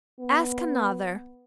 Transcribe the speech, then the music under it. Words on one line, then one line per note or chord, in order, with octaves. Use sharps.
Ask another.'
B3